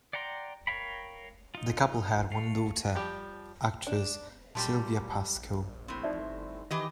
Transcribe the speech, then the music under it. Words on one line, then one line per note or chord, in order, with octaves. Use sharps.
The couple had one daughter, actress Sylvia Pasquel.
D5 F#5 G5 A#5 C6
A#4 C#5 F5 G5 B5
D#4 F4
A3 F5
F3 G3 G4
D4
F#2 A#2 G3 G5 A5 C6
A#1
A2 C4
F3 D#4 D5 E5
G1
D#3 E3 G4 D#5